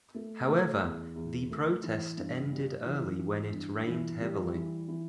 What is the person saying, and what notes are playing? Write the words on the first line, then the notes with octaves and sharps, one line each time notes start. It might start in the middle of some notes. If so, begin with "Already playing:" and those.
However, the protest ended early when it rained heavily.
A3
A3
E2
E2
A3
E3
G2
G3
E3
E3
G2
E3
G3
E3
E3